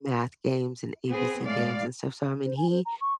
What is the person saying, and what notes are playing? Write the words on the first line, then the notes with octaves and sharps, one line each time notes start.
math games and ABC games and stuff. So I mean, he
B3 C4 G#4
A2 G#3 D5 F5
C5
G#5
C5
A#5
C#6